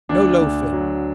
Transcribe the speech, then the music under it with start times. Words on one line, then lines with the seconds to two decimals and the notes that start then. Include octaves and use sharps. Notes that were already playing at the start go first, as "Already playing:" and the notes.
No loafing!
0.09 D2 D4
0.41 D2
0.73 F#3